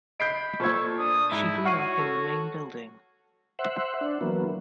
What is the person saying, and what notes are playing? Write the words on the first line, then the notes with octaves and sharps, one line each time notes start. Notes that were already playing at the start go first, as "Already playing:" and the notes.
She grew up in the main building.
D#5 B5 G6 C7 D7
A#2 F4 A4 C5 C#6 E6 G#6
D4 D#6
G#2 E4
F#4 C#5 F#5 C#6 F6 C7 D#7
A4
C5 E5 F#5
D4
E3 F#3 A#3 B3